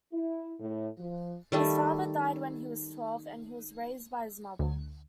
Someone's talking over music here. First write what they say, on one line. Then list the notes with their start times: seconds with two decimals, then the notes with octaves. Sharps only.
His father died when he was twelve, and he was raised by his mother.
0.12 E4
0.60 A2
0.98 F3
1.52 D#3 G3 A3
4.59 D2